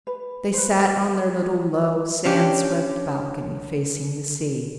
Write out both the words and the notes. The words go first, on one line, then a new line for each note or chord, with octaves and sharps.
They sat on their little low, sand-swept balcony, facing the sea.
B4
B4 C5
C#4 D4 G4